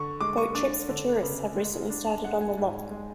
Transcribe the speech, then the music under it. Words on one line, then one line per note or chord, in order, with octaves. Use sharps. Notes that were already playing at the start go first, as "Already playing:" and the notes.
Boat trips for tourists have recently started on the loch.
Already playing: D3 C#6
G#3 D6
C#6
D4 D6
D3
C#3
G#3
D4
A5
G#3 F#5
G#5
G#2
G#3